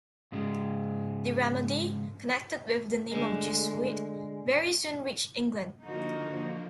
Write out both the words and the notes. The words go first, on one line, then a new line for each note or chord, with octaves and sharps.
The remedy - connected with the name of Jesuit - very soon reached England.
G#2 C#3 G#3
D3 G#3 A3
D3 F3 A#3 D#4 F#4